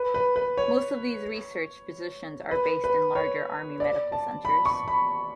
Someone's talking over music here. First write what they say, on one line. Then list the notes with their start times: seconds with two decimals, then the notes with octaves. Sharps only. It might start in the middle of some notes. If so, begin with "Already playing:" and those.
Most of these research Physicians are based in larger Army Medical Centers.
Already playing: B4
0.14 B4
0.36 B4
0.57 C#5
2.51 B4
2.84 B4
3.15 C#5
3.80 D5
4.12 A5
4.45 B5
4.66 C#6
4.88 B5